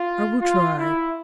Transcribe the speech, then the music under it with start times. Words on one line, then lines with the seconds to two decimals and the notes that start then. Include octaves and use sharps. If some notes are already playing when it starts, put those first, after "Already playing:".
"I will try."
Already playing: F4
0.41 F4
0.78 E4